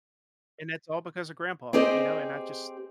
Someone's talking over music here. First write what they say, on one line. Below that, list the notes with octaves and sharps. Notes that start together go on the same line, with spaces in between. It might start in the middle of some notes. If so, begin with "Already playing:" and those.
And that's all because of grandpa, you know, and I just
C4 G4 G#4 C5 D#5